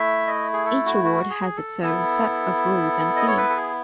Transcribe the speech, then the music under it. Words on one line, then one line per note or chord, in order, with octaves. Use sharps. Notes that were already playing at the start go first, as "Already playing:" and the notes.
Each award has its own set of rules and fees.
Already playing: A3 E4 E5
D#5
G#4
A4
F#4
F#4
G#4
A4
B3 E4 A4
D#5
C#5
B4
A4
G#4